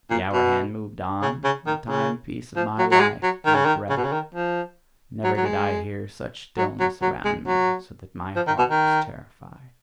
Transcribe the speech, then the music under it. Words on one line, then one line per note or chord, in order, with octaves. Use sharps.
The hour-hand moved on, the timepiece of my life drew breath--never did I hear such stillness around me, so that my heart was terrified.
A#2
B2
C#3
C#3
D#3
C#3
F3
F#3
F#3
G#3
F#3
D#3
C#3
D#3
C#3
B2
C#3
D#3
F3
F#3
F#3
G#3
F#3
F#3
F#3
G#3
F#3
F3
D#3
B2
D#3